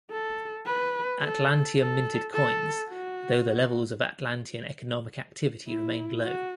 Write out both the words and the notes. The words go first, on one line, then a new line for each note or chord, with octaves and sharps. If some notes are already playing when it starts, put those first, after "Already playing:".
Atlantium minted coins, though the levels of Atlantian economic activity remained low.
A4
B4
A4
A4
A4
F#4
E4
F#4